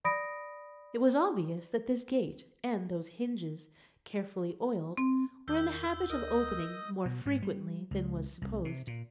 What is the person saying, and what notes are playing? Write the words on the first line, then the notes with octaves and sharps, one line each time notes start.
It was obvious that this gate and those hinges, carefully oiled, were in the habit of opening more frequently than was supposed.
D5 B5 D#6 A#6 D7
C4
E2 D#3 E6 G6 G7
D2 A#4 D#5 D#6
B2
G#2
G3
C#2
C2
C3
A#2